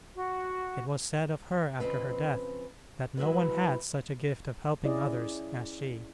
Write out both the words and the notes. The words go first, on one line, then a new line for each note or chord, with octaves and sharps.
It was said of her after her death that no one had such a gift of helping others as she.
F#4
F2 C#3 C4 B4
F#3 G#3 E4 B4
C#4 E4 G#4 D5 D#5